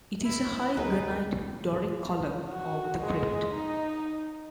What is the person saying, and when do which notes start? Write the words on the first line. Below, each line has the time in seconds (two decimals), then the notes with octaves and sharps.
It is a high granite Doric column over the crypt.
0.24 E4
0.77 D2 D#4 F#4 G#4 A#4 B4
2.50 F#4
3.00 G#3
3.54 D#4